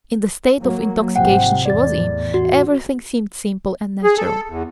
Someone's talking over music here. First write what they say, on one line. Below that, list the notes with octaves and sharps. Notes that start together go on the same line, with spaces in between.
In the state of intoxication she was in, everything seemed simple and natural.
F#3 A#3
G#1 C3 F3 F#5 G5
E2 A2 D5 A6
F#4
G#4
A4
E2